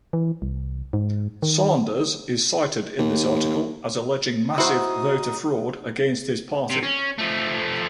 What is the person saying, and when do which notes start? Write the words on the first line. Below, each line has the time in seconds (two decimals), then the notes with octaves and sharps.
Sanders is cited in this article as alleging massive voter fraud against his party.
0.13 E3
0.42 C2
0.93 G#2
1.42 D#3
2.99 D#2
4.58 D#4 E4 F#4 C5 D#6
6.70 C3
6.83 C#4
7.18 F3 A3